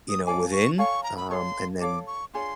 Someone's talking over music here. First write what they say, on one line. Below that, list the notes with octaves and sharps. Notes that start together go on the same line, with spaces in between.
you know, within, um, and then
D#6
A4 C#5 F5 G#5 D6
C#6
A4 C#5 F5 G#5 C#6
A#5
B5
A4 C#5 F5 C6 C#6
A4 C#5 F5 D6
C#6
D4 F4 G#4 C#5 C6